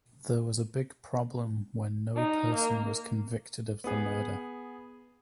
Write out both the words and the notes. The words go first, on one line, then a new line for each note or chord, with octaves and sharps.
There was a big problem when no person was convicted of the murder.
D#4
A#3
B3 G#4